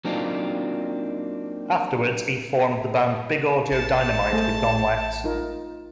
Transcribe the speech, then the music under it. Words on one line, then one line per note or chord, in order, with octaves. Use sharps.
Afterwards, he formed the band Big Audio Dynamite with Don Letts.
F#3 A#3 C4 D4 D#4 F4
A1 A5
A3 G#4 C5
D#4 F4 A#4